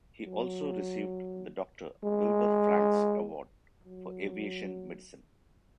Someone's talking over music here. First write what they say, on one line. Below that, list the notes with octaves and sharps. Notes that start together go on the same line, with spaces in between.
He also received the Doctor Wilbur Franks Award for aviation medicine.
F#3
G#3
F#3